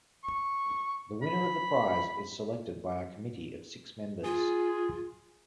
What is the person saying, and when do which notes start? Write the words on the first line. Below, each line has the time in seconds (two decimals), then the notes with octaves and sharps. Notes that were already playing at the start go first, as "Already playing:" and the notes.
The winner of the Prize is selected by a committee of six members.
0.24 C#6
1.22 B5
4.24 F4 G#4